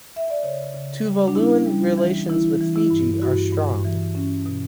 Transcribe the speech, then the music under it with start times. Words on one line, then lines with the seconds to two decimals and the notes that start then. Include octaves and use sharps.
Tuvaluan relations with Fiji are strong.
0.16 E5
0.30 D5
0.43 C#3 C#5
0.74 C#3
1.06 G3
1.28 D4
1.35 C#4 E4
1.66 G3
1.98 E3
2.29 E3 E4
2.60 E3
2.76 E4
2.90 G2
3.22 G2 F#4
3.52 G2
3.84 E3
4.15 C#4
4.46 B2